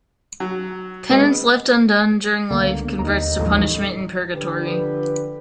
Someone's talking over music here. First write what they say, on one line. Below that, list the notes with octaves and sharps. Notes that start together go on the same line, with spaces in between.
Penance left undone during life converts to punishment in Purgatory.
F#3
G#3 B3
C#2 D3 A#3 B3
D#2 D#4 A#5
A1 D#2 F3 F#3 G#3
D3 F3 G4 B4